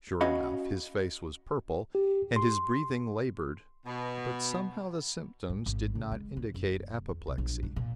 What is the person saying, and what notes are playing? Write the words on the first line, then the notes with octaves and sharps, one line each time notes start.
Sure enough, his face was purple and his breathing laboured, but somehow the symptoms did not indicate apoplexy.
C#4 F#4 D#5 F5 B5
G4
C6
B2
A2
G#1
C#3
G#3
C#3
F#1
E2
C2
A#1
G#2
A#2